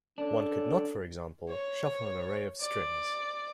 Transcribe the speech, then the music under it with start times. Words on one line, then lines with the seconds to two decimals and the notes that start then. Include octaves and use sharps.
One could not, for example, shuffle an array of strings.
0.18 C#4 D4 A4
1.49 C#5
2.60 D5